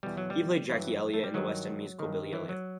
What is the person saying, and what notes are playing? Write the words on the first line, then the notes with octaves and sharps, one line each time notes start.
He played Jackie Elliot in the West End musical "Billy Elliot".
E2 B2 G3
F#3
G3
G2 E3 F#3
A3
G3
G2 D#3 F#3
G2 D#3
E3
F#3